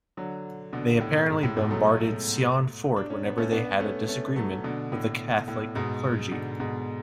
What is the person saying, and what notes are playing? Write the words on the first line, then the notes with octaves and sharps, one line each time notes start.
They apparently bombarded Sion Fort whenever they had a disagreement with the Catholic clergy!
D3 F#3
B2 D3
A2
G#2
A2
G#2 B2
F#3 A3
D4
C#4
B3
A3 C#4
B3 D4
A3 C#4
A3 C#4
F#3 A3
B2 D3
A2
A2
G#2 B2
B2 D3
G#2 B2